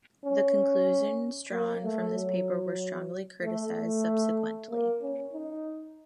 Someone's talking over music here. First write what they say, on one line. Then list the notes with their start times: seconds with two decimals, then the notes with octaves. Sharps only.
The conclusions drawn from this paper were strongly criticized subsequently.
0.24 C#4
1.51 A#3
1.83 A3
2.15 F#3
3.42 A3
3.75 A3
4.70 A#3
5.01 C#4
5.33 D#4